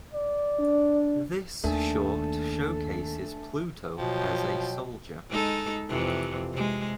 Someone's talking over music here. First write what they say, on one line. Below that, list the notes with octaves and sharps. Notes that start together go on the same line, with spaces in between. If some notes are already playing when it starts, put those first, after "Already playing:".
This short showcases Pluto as a soldier.
D5
D4
D#2 A3 D4 A4 G#5
B2 F3 F#3 G5
G#3 D#4 A4
F2 C3 E3
C3 G#3